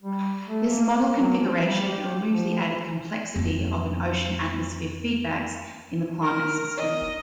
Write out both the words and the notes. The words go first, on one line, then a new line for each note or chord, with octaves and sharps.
This model configuration removes the added complexity of ocean-atmosphere feedbacks in the climate system.
G3
A3
A#3
F#3
F3
G3
G4
F3
F2 A#3
A#4
D#5